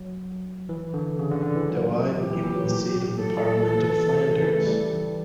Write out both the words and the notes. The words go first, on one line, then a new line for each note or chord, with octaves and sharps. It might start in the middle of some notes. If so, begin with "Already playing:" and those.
Douai became the seat of the Parliament of Flanders.
Already playing: F#3
E3
D3
C#3
D3
D3
E3
F#3
E3 G4
E3
E3
F#3
A4
E3
C#3
E3
A3
G3
E3